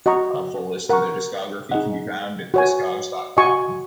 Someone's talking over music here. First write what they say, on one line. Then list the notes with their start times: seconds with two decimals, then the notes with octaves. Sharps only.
A full list of their discography can be found at Discogs dot com.
0.06 F#4 D#5 A#5 C#6
0.89 A#4 F#5 A#5 C#6
1.71 D#4 G#4 D#5 F#5
2.54 F#4 C#5 G#5
3.37 F#4 D#5 G#5 C#6